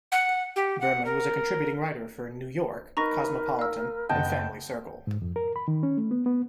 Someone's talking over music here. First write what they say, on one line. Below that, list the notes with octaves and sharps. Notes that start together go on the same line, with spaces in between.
Berman was a contributing writer for "New York", "Cosmopolitan" and "Family Circle".
F#5
G4
F#5
A#4
D#4 A#4 B4 A#5 C#6 A#6
F5 E6
F#1 D#5 F#5 G5 A5
G#2
F2
A#4
B5
D#3
C#4
A3
B3
B3